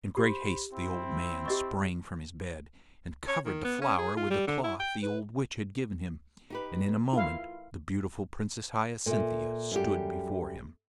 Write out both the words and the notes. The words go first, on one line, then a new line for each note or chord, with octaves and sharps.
In great haste the old man sprang from his bed, and covered the flower with the cloth the old witch had given him, and in a moment the beautiful Princess Hyacinthia stood before him.
G4 C5 B5
C4 E4
G4 D#5 C#6
C#5
D#3
B3
C#4
G#4
F4
G3
D3
E4
G5
B4
D#4 G4 B4
E4 F4 F5
A#2 A4 E5
F#2 G3 G4